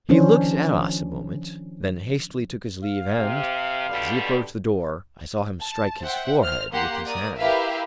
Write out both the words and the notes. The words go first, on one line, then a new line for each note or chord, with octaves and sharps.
He looked at us a moment, then hastily took his leave and, as he approached the door, I saw him strike his forehead with his hand.
D#3 F3 C#4 D4 C5
F5
C3
B2 D3 G3
A5
C5 E5 F#5 G5
C5 F6
A#3 G4 A#4 F#5 C6
A#4 D5 D#6
E4 G4 A#4 B4 E5 F5